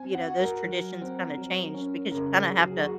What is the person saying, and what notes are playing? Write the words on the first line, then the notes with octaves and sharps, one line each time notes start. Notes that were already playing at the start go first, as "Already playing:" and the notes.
you know, those traditions kinda changed because you kinda have to,
Already playing: C4 G#5
F#5
F#4
A#4
F#3
C4
F#3
C#4
C#3 A#4
G#4
F#3
G#4
F#4